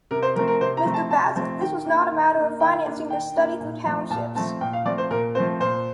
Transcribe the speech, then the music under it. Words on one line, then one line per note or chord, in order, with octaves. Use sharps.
Mister Bazin, this was not a matter of financing this study through townships.
C3 A#4
C5
F3 A3 C4 A#4
A#4
C3 C5
A#5
F3 A3 C4
A5
C3 A5
F3 A3 C4
D#3 G5
A#3 D4
D#3
A#3 D4
D#3 G5
A#3 D4
D#3 G5
A#3 D4
A#2
F3 A3 C4
A#2 A5
F3 A3 C4 A5
A#2 G5
F5
F3 A3 C4 D5
C5
A#2 A#4
F3 A3 C4 C5
A#2 C5